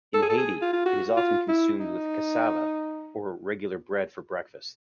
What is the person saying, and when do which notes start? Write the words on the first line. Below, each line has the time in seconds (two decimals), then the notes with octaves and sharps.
In Haiti, it is often consumed with cassava or regular bread for breakfast.
0.14 A4
0.22 G#4
0.30 A4
0.38 G#4
0.62 F4
0.73 F4
0.86 F#4
1.17 F4
1.48 E4
1.80 D#4